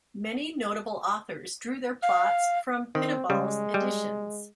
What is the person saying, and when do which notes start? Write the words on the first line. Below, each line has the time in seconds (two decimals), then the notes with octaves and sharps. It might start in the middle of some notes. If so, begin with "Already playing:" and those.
Many notable authors drew their plots from Pitaval's editions.
2.03 F5
2.95 D#3 C4
3.30 C#3 G3 G#3
3.74 G3